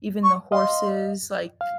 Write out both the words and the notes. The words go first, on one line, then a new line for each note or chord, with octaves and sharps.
even the horses, like,
C#6
D#5 F5 C6
F5